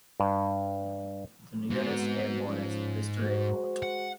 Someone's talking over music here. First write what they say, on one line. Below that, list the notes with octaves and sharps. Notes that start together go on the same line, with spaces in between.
The nearest airport is Bristol Airport.
G2
G#2 B3 C4 F#4
F3 C#4
G#3 F#4 C5
F#5